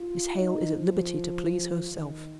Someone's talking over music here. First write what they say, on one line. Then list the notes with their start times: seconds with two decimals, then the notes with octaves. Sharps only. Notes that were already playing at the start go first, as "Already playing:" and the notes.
Miss Hale is at liberty to please herself.'
Already playing: F4
0.33 D#4
0.72 F3
1.90 D#3